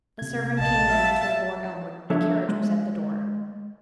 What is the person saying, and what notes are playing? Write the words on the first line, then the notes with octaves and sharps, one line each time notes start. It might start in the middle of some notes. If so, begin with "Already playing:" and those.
A servant came in, and told Lord Elmwood, "The carriage was at the door."
C3 G#6
A#1 D#5 F5 A5
E5 F5
F3 D4 A4 A#4 C#5 E5
G#3